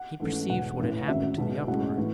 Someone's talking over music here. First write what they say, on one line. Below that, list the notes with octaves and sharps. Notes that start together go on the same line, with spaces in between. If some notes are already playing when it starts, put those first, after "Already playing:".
He perceived what had happened to the uproar.
Already playing: F#5
G#2 E3 A3 C#4
E1 E2 B2 F#5
A1 A2 E3
G#1 F#2 C#3 F#3 E5
B1 B2 G#3 B3
B1 A2 G#3 C#4 F#5
A2 E3 B3